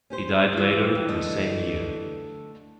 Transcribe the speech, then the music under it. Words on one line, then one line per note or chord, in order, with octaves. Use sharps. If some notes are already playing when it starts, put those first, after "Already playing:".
He died later the same year.
C#4 G4 C5
E3 F4 B4 C5
F2
D3 A3 D#5